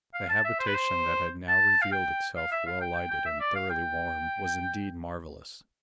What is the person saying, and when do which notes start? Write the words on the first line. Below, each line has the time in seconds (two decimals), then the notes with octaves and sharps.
The habitation that had now revealed itself, well lighted and thoroughly warm, was indeed marvelous.
0.14 F5
0.30 A5
0.44 E5
0.60 C5
0.67 B4
0.75 C5
1.48 A5
1.82 F5
1.93 G5
2.37 F5
2.52 E5
2.66 F5
2.81 G5
2.96 G5
3.11 G5
3.26 E5
3.40 D5
3.56 F5
3.70 G5